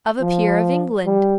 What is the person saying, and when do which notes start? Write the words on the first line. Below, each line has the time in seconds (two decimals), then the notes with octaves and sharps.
Of a peer of England.
0.21 F3
1.06 G3